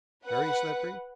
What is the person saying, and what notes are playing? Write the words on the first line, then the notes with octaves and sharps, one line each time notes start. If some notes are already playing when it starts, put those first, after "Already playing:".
"Very slippery?"
B4 F#5